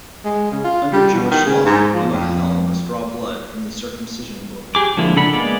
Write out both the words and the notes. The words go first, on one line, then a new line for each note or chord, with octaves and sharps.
Under Jewish law, a mohel must draw blood from the circumcision wound.
G#3
C#3
F4
G3
B2
D#3
C#3
G#2
F3
F2
G4 G#4 D6
D3 F3 G#3 A#3 E4
C#3 D4 A4 F#5 B5
G#3 A#3 B3 D5